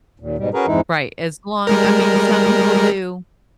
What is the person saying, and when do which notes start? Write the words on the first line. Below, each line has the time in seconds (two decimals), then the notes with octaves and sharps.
Right. As long I mean, some people do,
0.20 D#2 A#2
0.38 G#2 B2 G3
0.54 C#4 F#4 G#4 A#4 B4 A#5
0.67 F2 G#2 E3 G#3 D#4 E4
1.67 G3 G#3 A#4